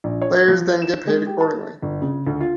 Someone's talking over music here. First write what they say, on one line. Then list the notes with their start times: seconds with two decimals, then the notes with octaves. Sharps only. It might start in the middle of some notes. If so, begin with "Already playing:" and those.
Players then get paid accordingly.
0.04 A#1
0.22 C#5
0.48 F3
0.82 E7
1.07 G#3
1.26 G4
1.41 A5
1.82 G1
2.02 C#3
2.27 D2
2.41 F4